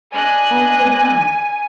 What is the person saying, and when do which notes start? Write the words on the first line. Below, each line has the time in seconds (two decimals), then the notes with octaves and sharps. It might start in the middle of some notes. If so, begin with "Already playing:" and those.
All the world!
0.14 D4 D#5 G#5 F#6